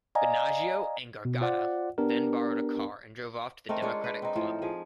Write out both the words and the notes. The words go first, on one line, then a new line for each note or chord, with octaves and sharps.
Binaggio and Gargotta then borrowed a car and drove off to the Democratic Club.
D5 D#5 F5 G#5 A#5
B2
F4 C5 D5 F#5
B3 D4 G4 A#4
A3 C4 D#4 A#4
G#3 D4 F4 C#5
B4
C4 D#4
A2 F3 F4 C5
F3 G#4